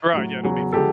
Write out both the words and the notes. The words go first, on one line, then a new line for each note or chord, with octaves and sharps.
Right, yeah, it'll be fun.
A2 F#3
E2 C#3 F#3
D3 F3 G#3 G4 A4